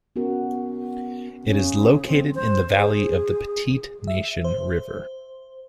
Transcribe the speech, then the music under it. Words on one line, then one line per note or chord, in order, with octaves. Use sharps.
It is located in the valley of the Petite-Nation River.
B3 C#4 F#4 A#4
C#3
C4
C5
G#4
E5
C5